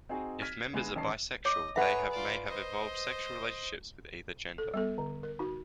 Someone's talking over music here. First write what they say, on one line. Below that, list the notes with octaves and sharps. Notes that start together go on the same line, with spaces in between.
If members are bisexual, they may have evolved sexual relationships with either gender.
C4 D#4 F#4 G#4 G#5
F6 G#6 A#6 B6 D#7
D2 G#3 B3 B4 G#6 D#7
D#1 A1 C#4 D#4 A5 C7
C#5 D#5 D6
G#4 B4 C#5 E5 F#5 A#5
F4 D5
C5 D#5
A4
G3 B3 A4
D3
A#4
D#4 F#4